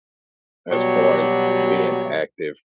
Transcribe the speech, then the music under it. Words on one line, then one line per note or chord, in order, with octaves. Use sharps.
as far as being active,
B2 F#3 G3 G4 C#5